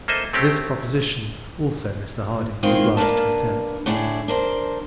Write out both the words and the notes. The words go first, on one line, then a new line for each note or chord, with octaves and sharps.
To this proposition also Mr Harding was obliged to assent.
A#3 A4 C5 D#5 E5
A3 C4 C#4 G4
D#3 G#3 C4 E4 F4
A#3 D4 A#4 B4 A5
A2 D3 D4 E4 G#4
D4 A#4 C5